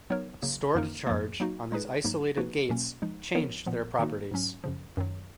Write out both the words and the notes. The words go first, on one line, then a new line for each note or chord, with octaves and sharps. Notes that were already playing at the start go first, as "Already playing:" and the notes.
Stored charge on these isolated gates changed their properties.
F#3 B3 D#4 A#4 C#5
C#3 F#3 A#3
F#2 D#3 A#3 D#4 A#4
F#2 F3 A#3
F#3 A#3 D#4 F#4
G#3 D#4 G#4 B4
G#2 F#3 A#3 D#4
F3 A#3 D#4 F#4 B4
B2 F#3 A#3 C#4
F3 G#3 D#4
F3 B3 D#4 A#4 C#5
A#2 F3 B3
D#3 A#3 D#4 F#4
G#2 F#3 C#4
F#2 C#3 F3
F#2 D#3 F#3